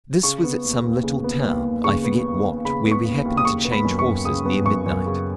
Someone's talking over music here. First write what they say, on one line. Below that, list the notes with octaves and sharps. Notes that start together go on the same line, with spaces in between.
This was at some little town, I forget what, where we happened to change horses near midnight.
C#3 C#6
B3
D#2
D#2
C#3
B3
D#2
D#2
C#3 C#6
B3
D#2
D#2
C#3 B5
B3
C#6
D#2
D#2
D#6
C#3 C#6
B3
B5
F#2
C#6
F#2
C#3 D#6
B3
F#2 C#6
F#2
C#3